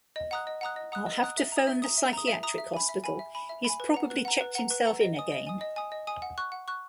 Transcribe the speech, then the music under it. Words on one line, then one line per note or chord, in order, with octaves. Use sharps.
I'll have to phone the psychiatric hospital, he's probably checked himself in again!
D#5
F#5 A#5 D#6 F#6
D#5
F#5 A#5 D#6 F#6
D#5
F#5 A#5 D#6 F#6
D#5
F#5 A#5 D#6 F#6
E5
A#5 D#6
E5
A#5 D#6
E5
A#5 D#6
E5
A#5 D#6
E5
G#5 B5
E5
G#5 B5
E5
G#5 B5
E5
G#5 B5
B4
F#5 A#5
B4
F#5 A#5
B4
F#5 A#5
B4
F#5 A#5
D#5
G#5 D#6
D#5
G#5 D#6
D#5
G#5 D#6
D#5
G#5 D#6
F#5
C#6 F#6
F#5
C#6 F#6